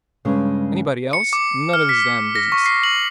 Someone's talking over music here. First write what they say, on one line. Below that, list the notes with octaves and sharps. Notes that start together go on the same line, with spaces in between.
Anybody else, none of his damn business.
G2 C#3 G#3
C#7
D6
F6
B6
A#6
C#6
C7
F#7